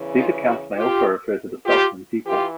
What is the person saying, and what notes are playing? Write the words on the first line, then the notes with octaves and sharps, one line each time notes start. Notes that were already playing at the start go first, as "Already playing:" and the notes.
These accounts may also refer to the Selk'nam people.
Already playing: E2 C#3 E3
D#4 F4
E4 F#4
F4 G4
F4 G4
E3 F4 G4